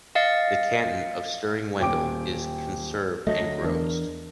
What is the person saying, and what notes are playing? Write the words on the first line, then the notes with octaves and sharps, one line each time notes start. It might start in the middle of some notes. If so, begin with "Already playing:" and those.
The canton of Stiring-Wendel is conserved and grows.
D#5 F5 A6 C#7
D#1 G5 D6 D7
D2 F#3 A3 D#5 A#6
E2 D4 A#4